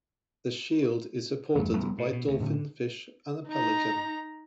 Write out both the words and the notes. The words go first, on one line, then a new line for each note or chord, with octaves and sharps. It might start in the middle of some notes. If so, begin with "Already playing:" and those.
The shield is supported by a dolphin fish and a pelican.
F1 E2 G2 A3
F1 F#2 G3 B3
A2
B2
D2
A2 D3 C#4
D#4 A#5